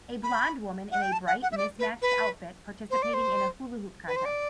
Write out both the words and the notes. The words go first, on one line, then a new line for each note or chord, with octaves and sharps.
A blond woman in a bright, mismatched outfit, participating in a hula hoop contest.
B5
F#5
G5
A5
F#5
F#5
E5
D5
B4
B4
C5
D5
C5
B4
C5
D5